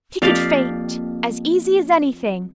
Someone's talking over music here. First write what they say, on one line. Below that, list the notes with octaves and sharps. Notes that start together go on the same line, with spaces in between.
She could faint as easy as anything.
F2 A#3 G4 D5 F5